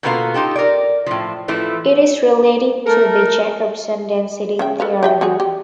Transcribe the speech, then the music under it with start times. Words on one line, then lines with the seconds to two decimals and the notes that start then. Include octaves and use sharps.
It is related to the Jacobson density theorem.
0.03 B2 A#3 B3 F4 A4 F5
0.34 D#4 F4 G4 A4
0.56 A#4 D5
1.06 A2 F3
1.48 E3 F3 A3 E4
2.87 A3 A4 A#4
4.59 C#3 E5 G5
4.80 A4 B4 F5
5.03 G4 E5 G5
5.21 G3 F#4 G#4
5.40 G4